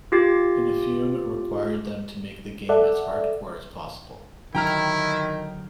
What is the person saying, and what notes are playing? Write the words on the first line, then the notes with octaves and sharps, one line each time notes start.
Inafune required them to make the game "as hardcore as possible".
F4 G4 A6
A4 D5 E5 F#5
D3 D#3 F#3 E4 G5 A#5 F6